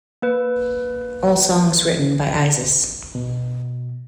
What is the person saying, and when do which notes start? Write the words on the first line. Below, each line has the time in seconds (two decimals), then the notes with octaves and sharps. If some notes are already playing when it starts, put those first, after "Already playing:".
All songs written by Isis.
0.22 A#3 B4
3.15 B2